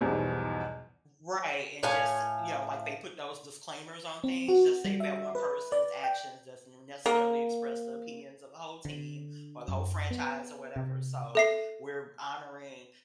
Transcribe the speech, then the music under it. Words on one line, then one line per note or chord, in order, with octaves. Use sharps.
Right. And just you know, like, they put those disclaimers on things, just say that one person's actions doesn't necessarily express the opinions of the whole team or the whole franchise or whatever, so we're honoring,
B1 E2 G#2 B2 F3 G3
A2 C#5 F5 G#5
C4
F#4
G3
E5
B4
D5
G5
A#3
D3
F#2
B3
C3
A4 E5 C7